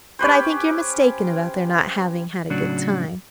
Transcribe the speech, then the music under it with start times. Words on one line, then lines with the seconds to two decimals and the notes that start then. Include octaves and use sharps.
But I think you're mistaken about their not having had a good time.
0.19 C#4 G4 B4 C5
2.50 A2 C#3 F#3 D4 F#4